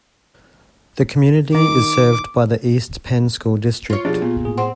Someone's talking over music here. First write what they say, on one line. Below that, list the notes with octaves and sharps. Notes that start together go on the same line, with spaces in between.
The community is served by the East Penn School District.
D#3 D6
F4 C#5
B2 F3 D4 G4 G#4
A#2 B3
A2 G#4
C4 F#5 C6